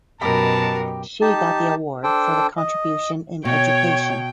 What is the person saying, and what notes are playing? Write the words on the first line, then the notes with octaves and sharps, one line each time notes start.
She got the award for the contribution in Education.
F#2 B2 F#4 G4 A#4 D#5 A5 B5
D#4 G4 A5
D4 A4 C5 G5
D#5
B2 C#5 G5